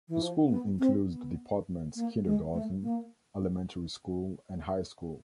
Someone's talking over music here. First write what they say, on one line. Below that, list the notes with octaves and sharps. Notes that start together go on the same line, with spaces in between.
The school includes the departments kindergarten, elementary school, and high school.
E3
F3
B3
C4
B3
A#3
G#3
A3
A#3